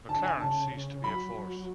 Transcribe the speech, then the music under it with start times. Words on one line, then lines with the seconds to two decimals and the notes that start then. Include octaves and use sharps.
McLaren ceased to be a force.
0.09 D3 A5
0.25 G#5
0.40 C#3 A5
0.72 C#3
1.04 F#3 B5
1.35 F#3